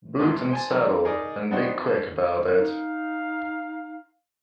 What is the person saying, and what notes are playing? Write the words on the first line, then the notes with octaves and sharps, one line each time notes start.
Boot and saddle, and be quick about it.
E2 G#2 B2 F#4 C6
C5 G#5 A5
E3 F#3 G3 B3
D#4 G#4 A#4 D5 D#5
B3 C4 D4 D#4 F#4 C5
F2
D#4 F5